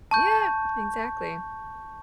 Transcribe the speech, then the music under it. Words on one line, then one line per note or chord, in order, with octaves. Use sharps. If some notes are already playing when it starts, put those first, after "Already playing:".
Yeah. Exactly.
A5 C#6 G6